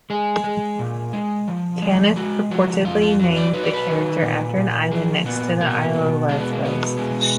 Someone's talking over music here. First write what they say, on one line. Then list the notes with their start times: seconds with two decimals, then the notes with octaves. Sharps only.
Caniff purportedly named the character after an island next to the isle of Lesbos.
0.10 G#3 G#4
0.44 G#3
0.79 A#2
1.13 G#3
1.48 F3
1.82 G#3
2.16 G#3 F#4
2.51 F3 F#4
2.85 F2 F4
3.02 F4
3.19 F#3
3.36 D5
3.53 F#3 B4
3.63 D5
3.73 B4
3.88 D#3
4.22 A#2
4.57 A#2
4.91 F3 G#4
5.25 A#2 B3
5.60 B2 A#3
5.95 B2
6.29 G#3 D4
6.41 B3
6.53 A#3
6.63 B2 B3
6.98 G#3